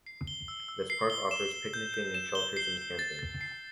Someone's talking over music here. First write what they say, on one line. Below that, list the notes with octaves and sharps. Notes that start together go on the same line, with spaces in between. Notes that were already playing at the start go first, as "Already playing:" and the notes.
This park offers picnicking in shelters and camping.
C7
G7
E6
E6
C7
G7
E7
G7
G6
G6
E7
G7
C7
G7
A6
A6
C7